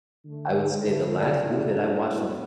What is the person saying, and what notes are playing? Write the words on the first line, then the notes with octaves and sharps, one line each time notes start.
I would say the last movie that I watched in th
D3 A3
B4
D3 A3 B4
D5
A2 F#3 A3 E4
D4
A2 F#3 B3 E4